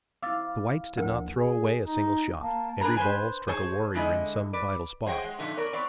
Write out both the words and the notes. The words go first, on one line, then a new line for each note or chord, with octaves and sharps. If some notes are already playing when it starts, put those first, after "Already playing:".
The whites did not throw away a single shot; every ball struck a warrior in some vital spot.
C4 E4 F5 D6 E6 A6
D2 F3 A#3 D4 A#4
G#4
D#4
A#3 A5
D4 G#4 A#4 B4 A#5
B4 C5 G#5
G#4 C5 C#5 A5
D3 G#3 E4 D#5
B4 D5
G#4 C5 C#5 D#5 F#5 G5
G#3
F2 A#2 D3 A3 D#4
B3 A#4 C#5 D5
B3 C4 C#5 D5